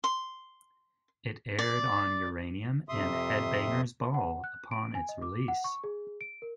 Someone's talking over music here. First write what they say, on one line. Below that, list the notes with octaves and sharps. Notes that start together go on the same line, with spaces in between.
It aired on "Uranium" and "Headbangers Ball" upon its release.
C6
D5
F2 C3 E5 C6 D#6
F#5
F#6
D7
G#5
D#5
D6
F#5
C#6
G#4
D7
A#4